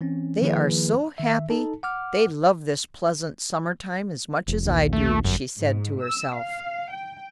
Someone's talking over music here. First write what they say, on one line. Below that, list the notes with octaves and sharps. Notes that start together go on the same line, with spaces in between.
"They are so happy; they love this pleasant summer-time as much as I do," she said to herself.
E3 C4 C#4
D#3 F3 A#3 E4 G#4 B4
D#3 E5
D#4 A4 A5
F#5 D6 F6
F1
A#1 D#2
A3
G1 F#2
G#2
E6
F5
G5